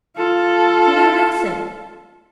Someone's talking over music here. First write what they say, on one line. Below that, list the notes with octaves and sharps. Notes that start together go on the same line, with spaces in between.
"You know nothing."
F4 A4